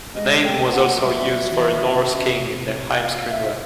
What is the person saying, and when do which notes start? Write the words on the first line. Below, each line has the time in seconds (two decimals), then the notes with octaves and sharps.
The name was also used for a Norse king in the "Heimskringla".
0.15 G#3 D#5
0.43 A3 G5
0.72 A#3 F#5
0.97 F#3
1.01 G3 E5
1.30 F#3
1.52 E3
1.73 D#3
1.86 C3
1.94 C#3
2.15 C#3
2.27 C3
2.40 B2
2.51 C3
3.02 F5
3.30 E5